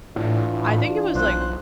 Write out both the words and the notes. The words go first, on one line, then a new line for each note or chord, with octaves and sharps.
I think it was like
A2 E3 D4 F4
B1 C5 F#6